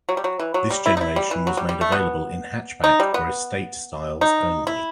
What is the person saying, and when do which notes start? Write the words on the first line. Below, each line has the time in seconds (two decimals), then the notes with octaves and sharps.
This generation was made available in hatchback or estate styles only.
0.09 F#3
0.17 G3
0.24 F#3
0.39 E3
0.54 F#3
0.70 G3
0.86 E4
0.97 D#4
1.01 E4
1.16 G3
1.31 E3
1.47 F#3
1.57 G3
1.69 G3
1.81 A3
1.92 B3
2.84 D#4
3.00 G3
3.14 B3
4.21 D#4
4.67 E4